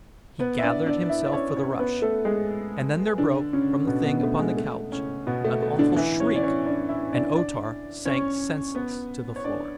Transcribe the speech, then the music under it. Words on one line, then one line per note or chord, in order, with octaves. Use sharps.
He gathered himself for the rush--and then there broke from the thing upon the couch an awful shriek, and O-Tar sank senseless to the floor.
B3 B4
E5
D4 D5
D4 D5
E4 E5
D5
C#4 C#5
C#4 C#5
B3 B4
A3 A4
G#3 G#4
D3 D4
C#3 C#4
B2 B3
B2 B3
A3
G#3
A3
C#3 C#4
B2 B3
A3
A3
D3 D4
E3 E4
C#4 C#5
D5
C#4 C#5
D4 D5
E4 E5
D4 D5
D4 D5
C#4 C#5
B3 B4
C#5
D4 D5